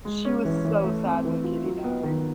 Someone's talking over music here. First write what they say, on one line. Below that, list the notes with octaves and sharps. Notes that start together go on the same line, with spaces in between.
She was so sad when Kitty died.
G#3
C#4
E3
E3
A3
C4
E3
F4
F#3
B3
D#3